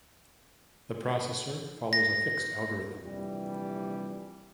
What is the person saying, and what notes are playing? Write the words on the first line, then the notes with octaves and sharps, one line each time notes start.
The processor follows a fixed algorithm.
A#6
A#1 C3 E3 G3